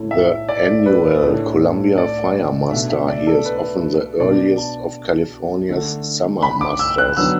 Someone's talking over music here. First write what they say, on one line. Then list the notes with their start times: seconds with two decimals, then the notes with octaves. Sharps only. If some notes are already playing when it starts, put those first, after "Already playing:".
The annual Columbia Fire Muster here is often the earliest of California's summer musters.
Already playing: A2 A3 E4
0.11 E5
0.49 D5
0.86 B4
1.23 A2 A3 D4
1.98 D5
2.71 B2 A3 D4 E5
2.90 E5
3.09 D5
3.27 A4
3.45 B4
4.20 B2 B3 D4 D5
4.57 A5
5.69 D3 A3 D4
6.43 B5
6.61 D6
6.79 E6
6.98 F#6
7.17 D3 F#3 B3 D4 E6